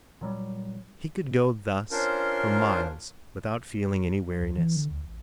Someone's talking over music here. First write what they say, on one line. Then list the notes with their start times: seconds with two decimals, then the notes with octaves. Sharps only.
He could go thus for miles without feeling any weariness.
0.21 A#2 F#3 G3
1.91 C#4 D4 F4 A#4 C5
4.40 D2
4.57 E3
4.76 D3
4.90 D2
5.04 A1